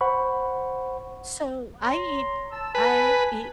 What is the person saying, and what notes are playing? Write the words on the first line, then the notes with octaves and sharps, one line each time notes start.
So, I eat I eat
C5 F#5 B5 C#6
C#5 A#5 C6
A5 E6
B4 G#5 A5